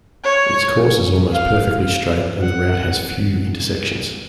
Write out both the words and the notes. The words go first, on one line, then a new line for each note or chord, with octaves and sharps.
Its course is almost perfectly straight, and the route has few intersections.
C#5
F5
F#5